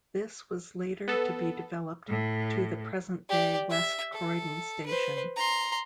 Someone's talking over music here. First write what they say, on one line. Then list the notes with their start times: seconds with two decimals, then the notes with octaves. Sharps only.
This was later to be developed to the present-day West Croydon station.
1.08 B3 A4
2.08 A2
3.29 G4 D5
3.70 E5
4.13 A4
4.86 B4 C5
5.36 A#5 C6